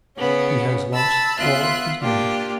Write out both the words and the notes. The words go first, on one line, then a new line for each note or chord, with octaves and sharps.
He has lost all his money....
C#3 B3 C#4
A5 B5 E6
B3 F4 E5 C6 F#6
A#3 D4 F4 G4